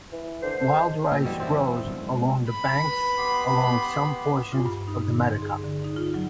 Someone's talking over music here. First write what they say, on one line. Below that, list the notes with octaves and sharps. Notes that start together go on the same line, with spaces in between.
Wild rice grows along the banks along some portions of the Metedeconk.
E3
D3 C5
A4
G#3
A#2 C4
F#2 B2 E3 G3
C4 E4
G1 F#2
G#3
B5
B4
B3 G4 C6
F4
G2
D#4
D3
C6
G#4
D3
D#4
F4
F#3